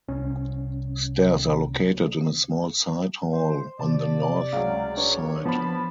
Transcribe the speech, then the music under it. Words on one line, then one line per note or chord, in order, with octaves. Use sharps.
Stairs are located in a small side hall on the north side.
C2 C#4
C5
C3 D5 A5
C3
C#2 F#3 F5 A#5 F6
D4 B4 C#5
F3 B3 C5 A5 B5